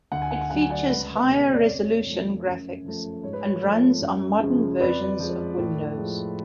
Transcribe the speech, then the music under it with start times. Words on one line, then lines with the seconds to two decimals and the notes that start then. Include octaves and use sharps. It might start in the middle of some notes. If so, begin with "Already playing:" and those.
It features higher resolution graphics and runs on modern versions of Windows.
0.12 D2 F#5
0.22 G#5
0.31 F#5
0.41 G#5
0.50 D3 F#3 F#5
0.61 G#5
0.70 D5 F#5
0.89 C#2 B4
1.15 B4
1.28 B2 G#3
1.41 C#5
1.53 D5
1.66 F2 C#5
2.06 F3 A3
2.45 F#2
2.84 F3 A3
3.23 G#2 C#5
3.33 B4
3.43 C#5
3.63 F3 A3
4.02 F#2
4.40 C#3 F3 G#3
4.80 F2 B4 D5
5.19 F3 G#3
5.58 A2
5.98 F3 G#3